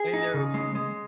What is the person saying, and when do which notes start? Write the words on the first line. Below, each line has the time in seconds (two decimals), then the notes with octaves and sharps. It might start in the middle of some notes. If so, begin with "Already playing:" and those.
and they're,
Already playing: G#4
0.13 D#4
0.34 C#3
0.54 G#3
0.75 G#3